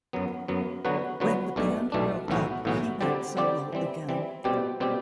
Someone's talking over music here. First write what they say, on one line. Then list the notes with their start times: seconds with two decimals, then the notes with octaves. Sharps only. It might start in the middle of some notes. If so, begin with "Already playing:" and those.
When the band broke up, he went solo again.
0.13 F#2 F#3 B3
0.48 F#2 F#3 B3
0.85 D3 F#3 B3 F#4 B4
1.20 D3 F#3 B3 F#4 B4
1.56 B1 B2 A3 D4
1.92 B1 B2 A3 D4
2.28 B1 A2 E3 B3 F#4
2.65 B1 A2 E3 B3 F#4
3.01 D3 G3 C4 G4 D5
3.37 D3 G3 C4 G4 D5
3.73 E3 G3 C4
4.09 E3 G3 C4
4.44 B2 G3 C4 G4
4.80 B2 G3 C4 G4